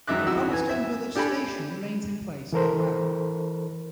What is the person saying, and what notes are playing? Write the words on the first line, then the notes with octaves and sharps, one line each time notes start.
The Cobblestone Village station remains in place as well.
G#1 F#2 D#4 E5 D6 F#6
F2 E4 F#4 E6
E3 G#5
E5
D4 G4 A4 G#5 B5
E3 A4 A#4 C5